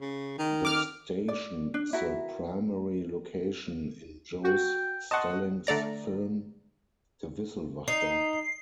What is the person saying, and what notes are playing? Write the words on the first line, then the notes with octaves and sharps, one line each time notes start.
The station is the primary location in Jos Stelling's film "De Wisselwachter".
C#3
D#3
D6 F6
D5
D4
E4 F#4 A#4 E5
F#4 G5
D#5 F#5 A5 C6 C#6
D3 A3 D5 A#5
D#4 C7